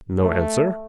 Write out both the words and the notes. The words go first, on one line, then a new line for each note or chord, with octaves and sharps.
No answer.
A3